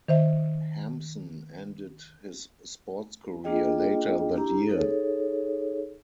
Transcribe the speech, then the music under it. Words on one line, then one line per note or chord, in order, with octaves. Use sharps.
Hampson ended his sports career later that year.
D#3 C5 E5
A#3 D4 F4 G#4 D#5 G5
D4 E4 G4 A#5
D#4 G#4 A4 C#5